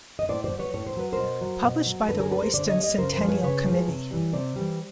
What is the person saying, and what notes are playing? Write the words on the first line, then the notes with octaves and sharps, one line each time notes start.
Published by the Royston Centennial Committee.
D#5
A2 C5 D5
C5 D5
F#3
B4 C#5
A2 C#5
C5
F#3 B4
A#4 C5
B2
F#3
B2
F#3
D3 A4 B4
G#4 A#4
G3 A4 B4
A#4 C5
D3 C5 D5
C#5 D#5
G3
C#5 D#5
C#3 A#4 C5
A#4 C5
F3 G#3
B4 C#5
C#3 B4 C#5
F3 G#3
C3
E3 G3
C3 C5 D5
E3 G3